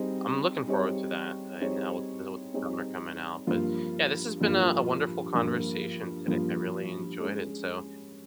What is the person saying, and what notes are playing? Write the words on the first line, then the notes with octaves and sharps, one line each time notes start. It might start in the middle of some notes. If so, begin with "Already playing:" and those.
I'm looking forward to that, and I will deal with the summer coming out, but, yeah, this has been a a wonderful conversation today, I really enjoyed it, so,
Already playing: G3 C4 D#4 G#4
G3 C4 D#4 G#4 C#5
G3 C4 D#4 G#4 C#5
G3 C4 D#4 G#4 C#5
G2 F3 A#3 F4
G2 F3 A#3 F4
G2 F3 A#3 F4
G2 F3 A#3 F4
G#3 C#4 G#4